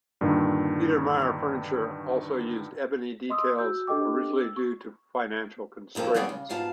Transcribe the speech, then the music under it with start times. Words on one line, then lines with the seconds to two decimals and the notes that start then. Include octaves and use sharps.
Biedermeier furniture also used ebony details, originally due to financial constraints.
0.21 G2 A#2 D3 D#3
3.30 D#5 C6 D#6 E6
3.59 F#4 E6 G6
3.87 D4 G4 A4 D#5 G5 D6
4.36 E6
4.57 C#6
5.95 D#2 F3 A#3 C4 A4
6.14 F#3 G3 B3 C4 G#4 D5
6.29 C#3
6.50 G#2 B2 F4 F5 A5